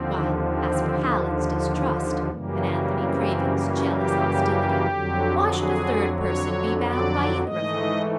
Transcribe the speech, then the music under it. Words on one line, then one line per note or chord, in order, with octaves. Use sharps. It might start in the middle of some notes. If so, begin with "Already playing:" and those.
While, as for Hallin's distrust, and Anthony Craven's jealous hostility, why should a third person be bound by either of them?
Already playing: D#2 D3 F3 C4
C4
F#2 C#3 E3 G3 A#3
C4
C#4
G4
F2 D3 F#3
G#4
C#5
D5
G#2 E3 A3 D#5